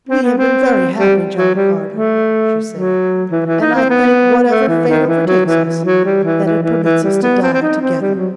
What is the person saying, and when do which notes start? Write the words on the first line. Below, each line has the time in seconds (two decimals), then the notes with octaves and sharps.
"We have been very happy, John Carter," she said, "and I thank whatever fate overtakes us that it permits us to die together."
0.09 C4
0.22 B3
0.38 C4
0.97 G3
1.36 F#3
1.55 G3
1.94 A3
2.72 F#3
3.31 E3
3.46 E3
3.61 D#4
3.75 C4
3.90 B3
4.49 A3
4.68 E3
4.88 D#3
5.07 E3
5.27 F#3
5.46 E3
5.65 E3
5.85 F#3
6.05 G3
6.24 E3
6.44 E3
6.63 E3
6.84 E3
7.03 G3
7.23 B3
7.42 C4
7.53 C4
7.62 D#4
7.82 C4
8.01 G3
8.15 F#3